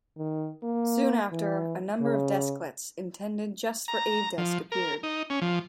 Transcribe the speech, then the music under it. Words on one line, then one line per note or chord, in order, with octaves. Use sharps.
Soon after, a number of desklets intended just for AveDesk appeared.
D#3
A#3
E3
C#3
A#5
F3
A#4
D#4
C#4
F3